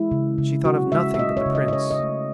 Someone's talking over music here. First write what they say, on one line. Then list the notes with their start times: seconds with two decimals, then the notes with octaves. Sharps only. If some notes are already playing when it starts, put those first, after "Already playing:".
She thought of nothing but the prince.
Already playing: G#3 E4
0.11 C#3
0.38 C#3
0.65 C#4 F#4
0.92 G#3 E5
1.14 E5
1.19 C#3 D#5
1.37 C#5
1.46 C#3
1.55 D#5
1.68 D#5
1.73 C#4 C#5
1.91 D#5
2.00 A3